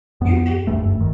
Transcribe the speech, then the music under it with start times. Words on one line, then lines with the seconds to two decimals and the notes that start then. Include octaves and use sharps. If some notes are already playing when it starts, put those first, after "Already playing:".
Do you think
0.21 F2 B3
0.67 F#1 C#2 G2 A3
1.00 F1 D#3